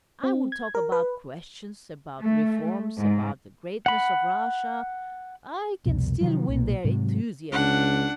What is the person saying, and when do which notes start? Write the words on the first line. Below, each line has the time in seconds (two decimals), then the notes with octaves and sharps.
I will talk about questions, about reforms, about the greatness of Russia.... I can still win their enthusiasm!
0.23 C4
0.52 G#6
0.75 A#4
0.92 B4
2.20 A3
2.96 G#2
3.86 F#5 B5
5.86 C2 F2 B2
6.21 C3 D#3 F3 F#3
6.48 B1 A#2
6.84 G#2 C3 F#3
7.52 C#2 D4 F#5